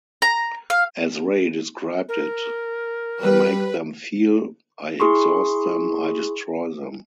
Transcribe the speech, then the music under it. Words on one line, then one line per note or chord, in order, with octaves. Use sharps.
As Ray described it, I make them feel, I exhaust them, I destroy them.
A#5
F5
A#4
G3 B4
E4 G#4 C6 C#6